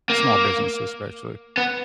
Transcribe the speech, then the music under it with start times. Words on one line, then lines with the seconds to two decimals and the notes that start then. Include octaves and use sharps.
small businesses, especially.
0.10 A#3
1.58 B3